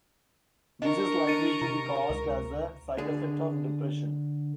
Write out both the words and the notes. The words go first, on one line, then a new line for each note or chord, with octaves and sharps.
This is likely to be caused as a side effect of depression.
D4 A#4 D#5 C#6
A6 C#7 D#7
C3 A#5
C#2
D3 G#4